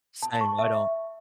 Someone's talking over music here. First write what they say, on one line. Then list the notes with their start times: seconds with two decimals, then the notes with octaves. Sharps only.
Saying I don't
0.22 A5
0.41 C#6
0.59 E5